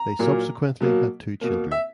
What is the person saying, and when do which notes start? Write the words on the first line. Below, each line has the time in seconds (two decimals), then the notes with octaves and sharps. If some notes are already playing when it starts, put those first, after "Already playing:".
They subsequently had two children.
Already playing: A#5
0.19 A#2 F#3 A#3
0.81 B2 F#3 A#3
1.41 B2 A#3
1.71 E5